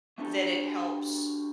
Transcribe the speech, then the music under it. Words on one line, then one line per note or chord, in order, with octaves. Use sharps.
that it helps
A3 D4 F#4 G4 A4